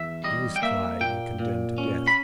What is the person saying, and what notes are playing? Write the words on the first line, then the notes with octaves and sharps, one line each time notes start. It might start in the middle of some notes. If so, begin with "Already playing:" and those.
He was tried and condemned to death.
Already playing: E2 E5
G3 D#5
G5
A#3 E5
A#2 G5
A#2
C#4
B5